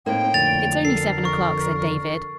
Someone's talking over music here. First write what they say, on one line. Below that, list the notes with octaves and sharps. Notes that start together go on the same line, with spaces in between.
"It's only seven o'clock," said David.
A2 A#3 C4 D#4 G5
F2 D3 A6 F7
A4 A#4 C7
C#6